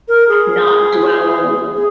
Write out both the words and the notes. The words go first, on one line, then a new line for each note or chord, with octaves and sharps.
not dwell on
A#4
G#4
G#4